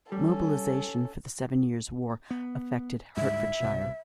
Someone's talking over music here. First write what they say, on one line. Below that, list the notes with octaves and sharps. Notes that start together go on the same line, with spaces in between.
Mobilisation for the Seven Years' War affected Hertfordshire.
G3 C#4 A4
B3
D2 G#2 G3 E5
C2 B2